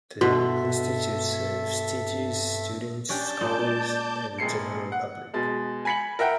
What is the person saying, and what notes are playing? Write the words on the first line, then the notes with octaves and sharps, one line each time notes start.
The Institute serves teachers, students, scholars, and the general public.
G2 B2 F#4 A4 E5
C#4 D4 G4 D5 A5 G6
A#2 G#3 D#4
D#1 G#3 C7 C#7
F#5
B2 G#3 A6
G#5 B5 B6 C#7 F#7
A#4 E5 F#5 G5